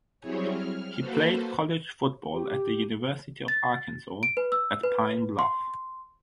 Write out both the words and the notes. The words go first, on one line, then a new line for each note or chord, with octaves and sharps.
He played college football at the University of Arkansas at Pine Bluff.
F#3 G3 C4 E4 G#4 C#5
F6
A#3 F#4 A4 B4 C5
G4
A6
D7
B4
E6
B4
C6